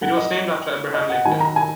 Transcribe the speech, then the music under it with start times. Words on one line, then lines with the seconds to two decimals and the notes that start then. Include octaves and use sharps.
It was named after Abraham Lincoln.
0.01 F#2 F#3 F#5
0.17 D#5
0.94 D#5
1.10 F#5
1.24 F#2 D#3 F#3 G#5
1.40 A#5
1.56 G#5